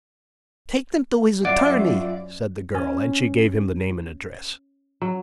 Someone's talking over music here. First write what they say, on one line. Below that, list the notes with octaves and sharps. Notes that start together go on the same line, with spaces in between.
"Take them to his attorney," said the girl, and she gave him the name and address.
F#2 F4 D5 E5 F#5
C#4
F#3